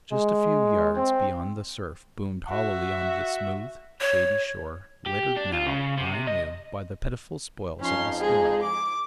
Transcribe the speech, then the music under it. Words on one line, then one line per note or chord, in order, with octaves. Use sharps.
Just a few yards beyond the surf boomed hollowly on the smooth, shady shore, littered now, I knew, by the pitiful spoils of the storm.
G#3
C4
F#4 E5
C#5
G4
D4
F4
C#3
C3
D#5
F2 F3 C#4 D#4 C6
G#3 G#4
D6